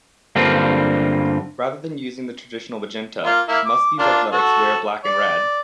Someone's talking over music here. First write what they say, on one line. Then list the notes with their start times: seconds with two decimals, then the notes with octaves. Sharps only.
Rather than using the traditional magenta, Muskies athletics wear black and red.
0.36 G2 D3 G3 A#3 C4 F4
3.24 A#3 F4
3.48 A#3 E4
3.66 D6
3.99 A#3 D4 F4
4.32 F#4 A4
5.05 D5